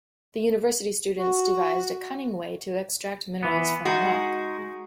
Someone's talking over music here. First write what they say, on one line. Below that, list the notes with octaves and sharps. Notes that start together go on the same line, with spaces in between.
The university students devised a cunning way to extract minerals from rock.
F#4
E3 B3
G#3 D#4 F#4